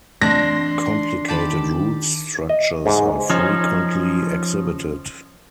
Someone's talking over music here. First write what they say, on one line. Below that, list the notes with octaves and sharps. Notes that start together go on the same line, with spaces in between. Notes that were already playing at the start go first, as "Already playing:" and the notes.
Complicated root structures are frequently exhibited.
E3 A3 C4 D4 C6 A#6
D#3 G4 A5 B5
D#5
G#2
F3 C#4 D#4